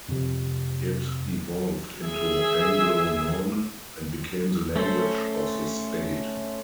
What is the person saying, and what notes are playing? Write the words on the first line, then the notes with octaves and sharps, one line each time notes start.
It evolved into Anglo-Norman and became the language of the state.
F2 C3
G#4 E5
A3 C#4 A4 C5